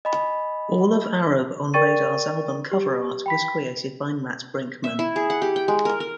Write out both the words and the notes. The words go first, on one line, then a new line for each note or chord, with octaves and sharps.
All of Arab on Radar's album cover art was created by Matt Brinkman.
D#5 G#5 B5
A#4 D5 G5 C#6 A6 D#7
G4
G5 B5 B6
E5
E4
G#4
F#5
G4
G5
G#3
A#4
A#4